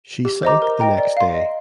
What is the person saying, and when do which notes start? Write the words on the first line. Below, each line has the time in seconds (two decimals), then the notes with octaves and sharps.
She sank the next day.
0.25 G4
0.43 C5 D#5 A#5 D6
0.62 A#4
0.80 D#5 G5 A#5
0.98 D5
1.17 F5 C6
1.34 D#5